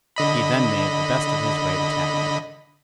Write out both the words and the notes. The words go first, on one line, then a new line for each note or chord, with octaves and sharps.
He then made the best of his way to town.
D3 D#5 B5